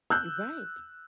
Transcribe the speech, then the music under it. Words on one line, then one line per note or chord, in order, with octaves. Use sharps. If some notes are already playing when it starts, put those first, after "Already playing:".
You right.
E6 F#6 G6